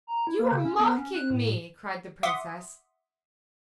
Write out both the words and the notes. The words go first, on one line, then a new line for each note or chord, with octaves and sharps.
"You are mocking me!" cried the princess.
A#5
E4
A#3
C#3
C#4
B3
C#4
F#6
A2
E5 F#5 C6 D6 D#6